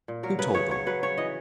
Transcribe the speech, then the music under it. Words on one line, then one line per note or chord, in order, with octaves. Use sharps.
"Who told them?"
A#2
F#3 A#4
C#3 B4
C#3 C#5
F#3 C#5
F#3 B4
C#3 C#5
E3 D#5